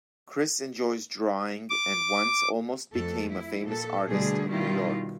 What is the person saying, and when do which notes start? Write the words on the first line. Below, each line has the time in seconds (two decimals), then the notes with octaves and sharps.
Chris enjoys drawing and once almost became a famous artist in New York.
1.70 D6
2.93 F2 A3 A4
3.29 E4
3.63 A#2 A4
4.08 D2 B2 D3 G3 G#4
4.48 B2 D#3 G3 E4 F4